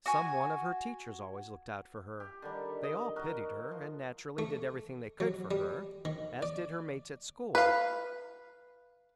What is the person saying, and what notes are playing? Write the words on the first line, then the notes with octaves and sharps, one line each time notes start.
Some one of her teachers always looked out for her. They all pitied her, and naturally did everything they could for her, as did her mates at school.
F#4 G#5
G4
D3 D#3 G3
D#5
F#4 A#4 D#5
F3
A3
F#3
G3
D#3
D5
B4 F5